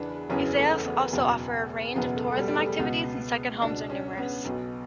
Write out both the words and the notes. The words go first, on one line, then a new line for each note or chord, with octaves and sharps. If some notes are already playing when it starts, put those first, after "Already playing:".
Yzeures also offers a range of tourism activities and second homes are numerous.
Already playing: F#1 E2 C#3 E3 D4 B4
F#1 E2 C#3 E3 C#4
A3
B3
F#1 E2 B2
F#1 E2 B2 B3
A3
A3
G3
G3
A3
C#2 B2 B3
C#2 B2 D4
C#4
C#4
B3
B1 B2